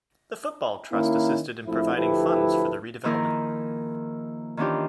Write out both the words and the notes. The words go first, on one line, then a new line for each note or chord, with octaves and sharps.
The Football Trust assisted in providing funds for the redevelopment.
D#3 A#3 C#4 E4
A#1 F3 A3 C4 E4
D2 F3 E4 G4 A4 B4
D#3 F3 A#3 E4 G#4 A#4
D#3 E3 C#4 D4 F4 G4